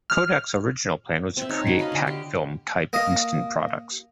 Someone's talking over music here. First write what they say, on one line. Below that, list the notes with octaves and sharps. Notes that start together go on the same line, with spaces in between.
Kodak's original plan was to create packfilm type instant products.
F6
C4 E5
D#4 C#5 A5
F#4
D#5 F5 B5
D3
G4
A#3 D#5